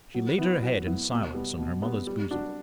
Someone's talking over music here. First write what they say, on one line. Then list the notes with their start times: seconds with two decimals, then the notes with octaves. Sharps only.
She laid her head in silence on her mother's bosom.
0.14 F#3
0.38 B3 E4
0.62 F#3
0.86 B3 E4
1.10 B2
1.34 G3 B3
1.58 B2
1.82 G3 B3
2.07 G3
2.31 D4 F#4